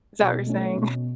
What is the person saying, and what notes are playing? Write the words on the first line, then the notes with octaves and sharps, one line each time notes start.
Is that what you're saying?
B2
A3 C#4
B2